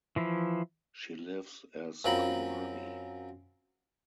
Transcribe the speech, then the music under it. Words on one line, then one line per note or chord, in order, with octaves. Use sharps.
She lives as kumari.
E3 F3 E4
F#2 C4 F4 A#4 B5